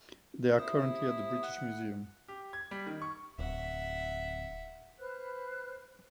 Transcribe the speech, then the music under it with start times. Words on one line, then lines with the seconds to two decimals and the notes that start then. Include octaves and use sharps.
They are currently at the British Museum.
0.58 E4 G4 C5 E5 D#6
1.43 F#5
2.28 G4
2.53 G#6
2.71 G3
2.87 D#3
3.02 C#6
3.39 D1 E5 F#5
4.99 B4 C5 F6 F#6